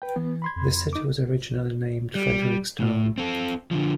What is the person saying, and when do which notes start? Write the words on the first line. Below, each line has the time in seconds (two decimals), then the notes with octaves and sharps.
The city was originally named "Frederick's Town".
0.02 B4 G5
0.16 E3 B3
0.42 B5 C6 G#6
0.56 F2
0.93 D#4 D6
2.15 G3
2.80 A2
3.18 C4 A4
3.71 D3 F3